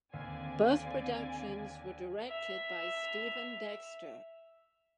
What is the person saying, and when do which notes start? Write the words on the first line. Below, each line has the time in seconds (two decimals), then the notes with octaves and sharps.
Both productions were directed by Steven Dexter.
0.14 D#2 D3 C4 D5 F5 G#5
2.27 E5 F7